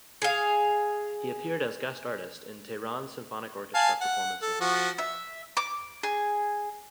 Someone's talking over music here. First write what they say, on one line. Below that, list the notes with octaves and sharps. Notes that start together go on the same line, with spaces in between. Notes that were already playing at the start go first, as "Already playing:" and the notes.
He appeared as guest artist in Tehran Symphonic Orchestra performances.
G#4 F5
F5 G#5 A5
F#5
A4
F3 F#4
E5
D6
G#4